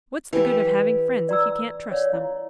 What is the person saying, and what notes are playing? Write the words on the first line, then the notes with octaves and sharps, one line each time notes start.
What's the good of having friends if you can't trust them?
E3 G4 A5
D5 A#5 E6
C#5 D5 F5
E4